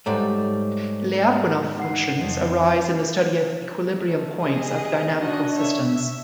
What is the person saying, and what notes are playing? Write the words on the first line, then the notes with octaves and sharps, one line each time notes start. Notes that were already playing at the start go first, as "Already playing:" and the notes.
Lyapunov functions arise in the study of equilibrium points of dynamical systems.
G#2 G3 A3 C#5 A#5 D6
D#4 F#5 C7
F2
A3
G4 G#4 D#5
D4 F#4 D#5
C#5 E5
E5